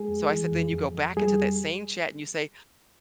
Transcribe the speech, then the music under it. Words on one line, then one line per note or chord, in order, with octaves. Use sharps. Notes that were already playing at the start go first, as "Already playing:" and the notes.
So I said, "Then you go back into that same chat and you say,
Already playing: G#3 G#4
F2
E3
F2
F2
F2
G3 G#4